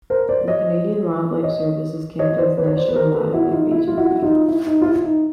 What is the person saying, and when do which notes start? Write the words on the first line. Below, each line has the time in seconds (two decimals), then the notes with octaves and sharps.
The Canadian Wildlife Service is Canada's national wildlife agency.
0.10 A#4 C5
0.29 C5 D5
0.48 C#5 D#5
1.43 C#5 D#5
2.19 C#5 D#5
2.38 C5 D5
2.57 B4 C#5
2.67 C#5
2.77 C5 D5
2.89 B4
2.95 A#4 C5
3.14 A4 B4
3.33 E4 F#4
3.52 D#4 F4
3.72 E4
3.87 F4
3.97 E4 F#4
4.23 D#4 F4
4.49 E4
4.67 D#4
4.82 F4
4.86 E4
5.05 D#4